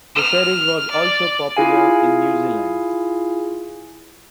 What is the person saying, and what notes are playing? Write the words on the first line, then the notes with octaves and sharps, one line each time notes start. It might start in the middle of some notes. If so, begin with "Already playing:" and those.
The series was also popular in New Zealand.
F6
D5
E4 F4 G#4 F5 G#5